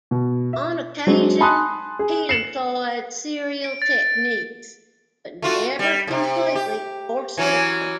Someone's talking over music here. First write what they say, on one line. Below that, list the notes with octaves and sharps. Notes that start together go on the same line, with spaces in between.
On occasion he employed serial techniques, but never completely or strictly.
B2
E5
F#3 G#3 C4 D4
G#5 A5 B5 C6 D#6 F#6
G#4
C7 C#7 E7 F#7
D7
A6
A3 F4 F#4
G3
A2 C3
G4
E3 F#3 C#4